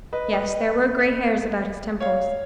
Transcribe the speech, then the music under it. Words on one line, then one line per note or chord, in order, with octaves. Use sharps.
Yes, there were gray hairs about his temples.
B4 D#5
B4 D#5
C#5 F5